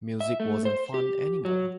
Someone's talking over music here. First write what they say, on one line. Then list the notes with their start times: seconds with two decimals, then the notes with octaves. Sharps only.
Music wasn't fun any more.
0.20 E5
0.40 A3
0.65 C5
0.94 G4
1.45 F#3